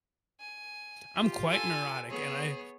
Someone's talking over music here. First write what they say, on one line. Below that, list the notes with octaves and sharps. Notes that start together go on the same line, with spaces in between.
I'm quite neurotic, and I
G#5
F4 G4
A4 G#5
B3 G#4 C#5